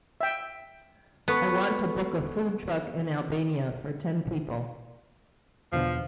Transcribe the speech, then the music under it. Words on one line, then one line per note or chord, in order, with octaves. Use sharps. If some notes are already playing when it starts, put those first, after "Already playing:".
I want to book a food truck in Albania for ten people.
E5 G5
B3 A4 C#6
E2 B2 D3 F3